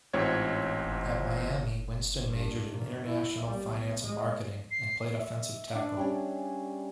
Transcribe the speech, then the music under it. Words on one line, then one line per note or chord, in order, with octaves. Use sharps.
At Miami, Winston majored in International Finance and Marketing and played offensive tackle.
A1 G#2 C4 F4 C#5 G#6
G2
A#2
E4
B1 G3
B2
G#3
C7
D#5 E5
D4
G3 C#4 G#4